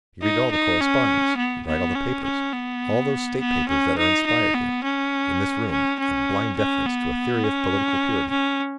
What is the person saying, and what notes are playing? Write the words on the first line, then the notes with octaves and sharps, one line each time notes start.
You read all the correspondence, you write all the papers--all those State papers that are inspired here, in this room, in blind deference to a theory of political purity.
D#4
D#4
C#4
B3
B3
C#4
C#4
B3
B3
C#4
D#4
D#4
B3
C#4
C#4
C#4
C#4
B3
C#4
C#4